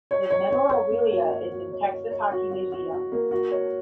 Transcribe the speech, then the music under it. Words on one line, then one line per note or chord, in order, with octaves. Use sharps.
His memorabilia is in Texas Hockey Museum.
C#5
C#5
C#5
C#5
A#3
F#4
F#4
F#4
C#5
C#5
C#5
F#4
F#4
F#4
F#4
A#3
F#4
C#5